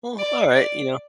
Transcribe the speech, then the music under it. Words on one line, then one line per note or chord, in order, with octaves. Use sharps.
Well, alright. You know?
D5
D5